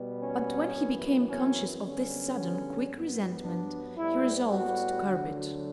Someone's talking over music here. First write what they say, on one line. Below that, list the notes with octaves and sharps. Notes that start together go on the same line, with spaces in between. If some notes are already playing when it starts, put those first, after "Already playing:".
But when he became conscious of this sudden, quick resentment, he resolved to curb it.
Already playing: B2 G3 B3
C#4
F#2 E3 B3
C#4
F#2 D3 G3 B3 C#4
G2 F#3 B3
D4
A2 G3 B3 E4
F#4
D2 D3 F#3